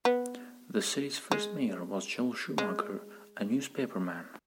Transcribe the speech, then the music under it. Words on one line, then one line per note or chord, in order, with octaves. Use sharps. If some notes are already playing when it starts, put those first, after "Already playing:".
The city's first mayor was Joel Shomaker, a newspaperman.
B3
G#3
G#3